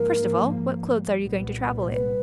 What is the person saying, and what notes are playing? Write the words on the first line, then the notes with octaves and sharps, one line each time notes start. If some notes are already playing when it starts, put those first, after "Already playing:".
"First of all, what clothes are you going to travel in?"
Already playing: G#2 F3 A#3 A#4
C2 A#2 G3 B3
B4